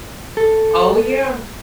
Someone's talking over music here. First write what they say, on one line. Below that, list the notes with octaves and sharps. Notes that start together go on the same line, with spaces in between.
Oh, yeah.
A4